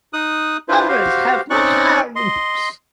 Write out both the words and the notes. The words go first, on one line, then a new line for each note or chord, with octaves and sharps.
Others have much higher roofs.
D#4 D#6 F#6
D4 E4 F4 B4 C5
F#4 G4 C5 F5
C4 C#4 D#4 D5 C#6 F#6
D#5 C6